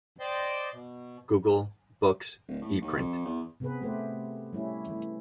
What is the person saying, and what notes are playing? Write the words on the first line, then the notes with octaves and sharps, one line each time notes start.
"Google Books" Eprint.
C5 D5 D#5 G5 C6 D6
B2
D1
A2
D#2
F2
E2
C3 B3 C4 G#4 B4
A3 G4 B4 C5
G3 A3 C#4 E4
E3 A3